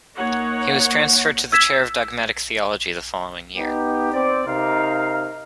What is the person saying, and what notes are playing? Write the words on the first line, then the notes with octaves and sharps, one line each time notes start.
He was transferred to the chair of dogmatic theology the following year.
A#3 D#4 C#5 F#5
E6 G#6 B6 E7
B3 D#4 G4
C4 D5
C3 D#4 A#4 F5